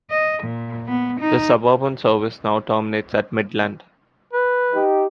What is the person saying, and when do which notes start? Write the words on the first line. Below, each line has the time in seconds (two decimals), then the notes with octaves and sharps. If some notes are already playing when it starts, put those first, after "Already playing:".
The suburban service now terminates at Midland.
0.10 D#5
0.43 A#2
0.88 B3
1.20 D#4
4.33 B4
4.73 D#4 G4